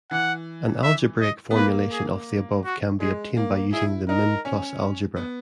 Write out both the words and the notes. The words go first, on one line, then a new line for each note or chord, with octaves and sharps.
An algebraic formulation of the above can be obtained by using the min-plus algebra.
E3 F#5
E5
D#5
B3
A#3 B4
G#4
F#4
G#3 G#4
A#3
E4 G#4
D#4 A#4
C#4
B3